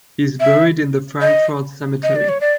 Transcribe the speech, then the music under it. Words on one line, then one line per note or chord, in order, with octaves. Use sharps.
He is buried in the Frankfort Cemetery.
E5
D#5
D#5
D5
C#5
D5